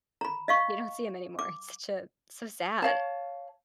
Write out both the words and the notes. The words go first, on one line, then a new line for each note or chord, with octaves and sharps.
You don't see 'em anymore. It's ju so sad.
A#5 B5
D#5 F5 C#6
D6
C#5 F5 A5